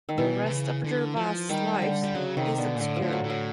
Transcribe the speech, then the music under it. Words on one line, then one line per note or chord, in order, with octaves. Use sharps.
The rest of Gervase's life is obscure.
D#3
B2 E3
C3
C#3
D3
F3
D#3 G3
D3
G3
C#3 F#3
C3 D#3
B2 D3
A#2
A2 D3
F3
A2
F#3
A2
F#3